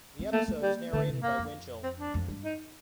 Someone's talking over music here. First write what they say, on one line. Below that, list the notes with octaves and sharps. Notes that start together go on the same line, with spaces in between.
The episode is narrated by Winchell.
C4
A3 A#3
A#3
G3
D3 A3
C3
F2 A#3
F2
C4
D4
F2
G2
D#4